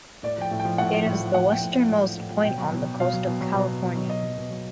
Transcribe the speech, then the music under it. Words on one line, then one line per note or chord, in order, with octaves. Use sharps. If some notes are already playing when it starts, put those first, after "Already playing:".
It is the westernmost point on the coast of California.
A2 D5
F3 G5
A2
G5
F3
A2 F#5
F3
A2
F3
A2 F#5
F3 G5
A2
F3
A2
F3
A2
F3
B2 G5
F#3
B2
F#3
B2 F5
F#3
B2
F#3
B2
F#3
B2
F#3
B2 D#5
F#3
B2
F#3